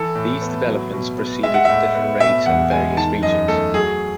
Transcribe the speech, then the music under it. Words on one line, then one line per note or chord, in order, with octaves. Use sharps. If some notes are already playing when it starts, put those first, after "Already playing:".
These developments proceeded at different rates in various regions.
Already playing: E3 A4
A2
B3
F#3
B2
B3
G#3 E5
F#5
A2 E5
B3
B2 E5
E2 F#5
G#3 G#5
D#3 A5
F#2 D#5
A3 A4
F#3 G#4